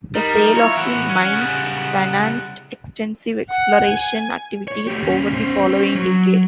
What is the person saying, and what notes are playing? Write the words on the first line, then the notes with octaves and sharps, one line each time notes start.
The sale of the mines financed extensive exploration activities over the following decade.
G3 D#4 A#4
E4 F4 C#5 A#5
E3 A3 F#5
C#4
C#3 G3
F#5
G#5
C#5
A3 G4
D#2 C#4
C#4 C5
F#3